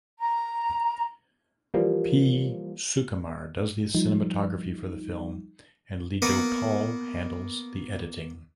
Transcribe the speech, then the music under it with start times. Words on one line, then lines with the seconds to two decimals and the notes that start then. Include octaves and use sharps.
P Sukumar does the cinematography for the film and Lijo Paul handles the editing.
0.20 A#5
1.74 E3 F3 G3 A#3
3.95 F3 G3 D#4
6.22 A#3 B3 B4 F#5